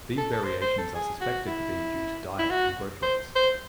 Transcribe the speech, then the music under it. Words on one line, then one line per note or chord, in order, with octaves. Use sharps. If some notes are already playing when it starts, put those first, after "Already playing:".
These variations are suspected to be due to diet and growth rates.
A4
A4
C5
C5
A4
G#4
F#4
E4
E4
F#4
C5
C5